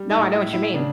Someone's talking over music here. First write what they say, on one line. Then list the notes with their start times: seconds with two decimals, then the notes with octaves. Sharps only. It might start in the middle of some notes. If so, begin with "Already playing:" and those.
No, I know what you mean.
Already playing: G3
0.10 D#4
0.18 A2
0.32 E4
0.46 A2
0.53 E4
0.74 C#3 D4